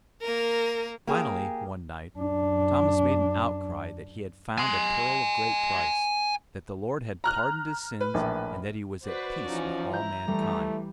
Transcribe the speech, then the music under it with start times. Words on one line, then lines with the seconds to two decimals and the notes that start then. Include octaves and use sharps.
Finally, one night, Thomas made an outcry that he had found a pearl of great price, that the Lord had pardoned his sins, and that he was at peace with all mankind.
0.22 A#3 A#4
1.07 A#3 G4 G#4
2.16 F#2 D4
4.58 G#5 C6
7.24 A#5 F6 F#6
8.01 B4
8.14 A#1 A2
9.06 F#4 B4 C5 D5
9.47 E3 F3 C#4 D#4
9.93 E4 A#5 G6
10.28 E3 G3 A3